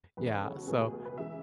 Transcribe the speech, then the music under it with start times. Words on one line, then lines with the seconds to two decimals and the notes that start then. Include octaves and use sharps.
Yeah. So,
0.17 E2 C#3 G#3 B4
0.30 C#5
0.42 A4
0.56 F#4
0.67 C#2 B2 A3 G#4
0.80 G#4
0.93 G#4
1.05 B4
1.18 C#3 E3 G#3 E5